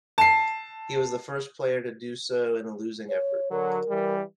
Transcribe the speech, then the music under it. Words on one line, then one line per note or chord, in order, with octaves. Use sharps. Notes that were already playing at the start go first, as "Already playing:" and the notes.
He was the first player to do so in a losing effort.
A5 C7
C#5
D3 F#3 A#4
E3 G3